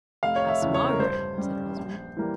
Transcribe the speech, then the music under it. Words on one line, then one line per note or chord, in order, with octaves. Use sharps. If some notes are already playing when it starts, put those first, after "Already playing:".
'Ask Margaret,' said her husband.
F1 F5
C#5
E5
E2 C#3
C#5
A#4
G2 C5
G3 C#4
A#1
E3 G3 A#3